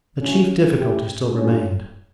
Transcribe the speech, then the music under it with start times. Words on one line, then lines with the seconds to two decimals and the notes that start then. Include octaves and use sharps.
The chief difficulty still remained.
0.19 D2 C#3 F#3 C#4 E4
0.77 C#3 E3 A3 E4 G4
1.34 G2 D3 A3 C#4